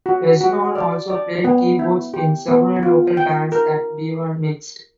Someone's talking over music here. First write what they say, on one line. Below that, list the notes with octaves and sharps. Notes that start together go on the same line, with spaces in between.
Reznor also played keyboards in several local bands that Beavan mixed.
F#4
F#4
D5
D5
B3
E4
G4
B3
F4
G5
A#4